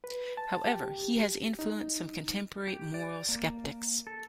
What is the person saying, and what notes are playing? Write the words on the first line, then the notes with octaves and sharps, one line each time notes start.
However, he has influenced some contemporary moral skeptics.
B4
A5
G4
D#4
G4
D5
A#3
A4